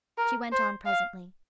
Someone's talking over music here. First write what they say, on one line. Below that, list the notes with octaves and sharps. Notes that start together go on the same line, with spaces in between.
She went on presently.
A#4
C5
F5